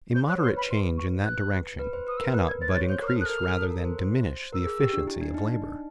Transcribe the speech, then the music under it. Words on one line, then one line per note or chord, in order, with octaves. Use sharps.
A moderate change in that direction cannot but increase rather than diminish the efficiency of labor.
C5 G6
C#5 F#6
B4
C5 C6
B4 B5
C6
C#6
F#6
B4
C5
B4 D#6
A#4 E6
F6
B4 F#6
B4 G#6
C5 A6
G#6
C#5 A6
C5 G6
A#4 F6
A4 F#6
A#4 F6
A#4
A4
A#4
C5
C5
A#4 E6
G#4
G4
D4
E4
D4
D#4
D4
D#4